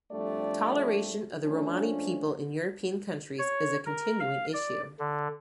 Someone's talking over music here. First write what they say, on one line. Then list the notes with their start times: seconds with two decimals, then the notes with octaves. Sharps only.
Toleration of the Romani people in European countries is a continuing issue.
0.12 F2 G3 A3 D4 G4 D5
1.44 F3 A3 C#4 D4
3.39 C#5
3.86 A#4
4.20 F5
4.53 D5
4.99 D3